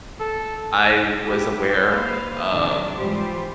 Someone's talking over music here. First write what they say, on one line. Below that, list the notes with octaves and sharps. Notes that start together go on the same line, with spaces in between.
I was aware of
A4
E4 G4
A#3 B4 C5 F5
A2 C3 D#3 F#3 D4
G#2 E3 G3 F4 G4 C5